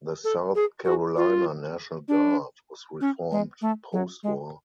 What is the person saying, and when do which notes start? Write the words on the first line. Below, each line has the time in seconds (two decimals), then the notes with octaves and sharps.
The South Carolina National Guard was reformed postwar.
0.24 A4
0.55 G#4
0.85 F#4
1.17 F4
2.08 D4
3.01 C#4
3.32 G#3
3.62 A3
3.93 F#3
4.23 G#3